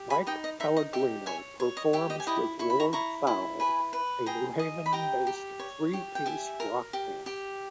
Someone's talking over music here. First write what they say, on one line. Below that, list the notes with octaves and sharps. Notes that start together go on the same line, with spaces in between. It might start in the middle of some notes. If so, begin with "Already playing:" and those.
Mike Pellegrino performs with Lord Fowl, a New Haven-based three piece rock band.
Already playing: G4
G#5 B5
D#4 D#5 G5
D#5
D#4 E5
D#5
G4 E5
C#5 E5 G#5
C#5
D#5
G4 E5
D#5 G5
G#5
E4 D#5 G5
E4 C#6
B5
A#5 C#6
E4 A#5 C#6
E4
B4 G#5 B5
B4
G#4 G5 A#5
D#5
B5
G4 G5 A#5
G4
C#5
G4
G5
G4 E5 G#5
A#4
G4
G4